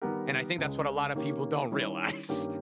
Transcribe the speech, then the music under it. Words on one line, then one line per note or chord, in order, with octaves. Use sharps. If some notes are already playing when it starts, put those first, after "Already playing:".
and I think that's what a lotta people don't realize,
D#3 G3 B3 G4 A#4
C#2 C#3 G#3
D#3 A#3 C#4 G4
D#3 G3 C#4 E4
G2 D#3 A#3 C#4 G4